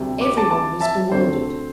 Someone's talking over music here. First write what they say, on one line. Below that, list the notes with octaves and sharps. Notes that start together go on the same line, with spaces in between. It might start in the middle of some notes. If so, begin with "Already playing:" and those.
Everybody was bewildered.
Already playing: D2 C3 G3
D6
A5 D6
A5 D6
E5 A5
D2 D3 A3 C4 C5